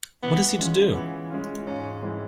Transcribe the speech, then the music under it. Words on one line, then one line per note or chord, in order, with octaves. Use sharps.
What is he to do?
E3 B3
G#3 C#4 F4
E3 B3
G#3 C#4 F4
G#2 C#4
E3 G#3 C4 E4